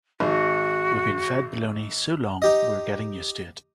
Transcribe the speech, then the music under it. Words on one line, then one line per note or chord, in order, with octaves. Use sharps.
We've been fed baloney so long we're getting used to it.
G#1 F#4
D#4 G4 D#5